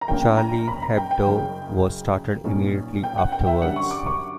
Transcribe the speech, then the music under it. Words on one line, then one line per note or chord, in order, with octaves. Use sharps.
"Charlie Hebdo" was started immediately afterwards.
A#5
A#1 A#2 A#3 C#4 G5
A#5
B5
A#5
G5
G5
F#1 F#2 C#3
B1 A#2 A#3 C#4
G5
F#5
G5
E5
F#2 D3 G3 F#5
C#6
D6
C#6